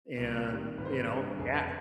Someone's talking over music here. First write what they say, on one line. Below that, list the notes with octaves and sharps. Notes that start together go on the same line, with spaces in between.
and, you know, ga
C2
C3 D#3 G3
G#1 B4
C5
B4
G2 D3
F1 G#4
B4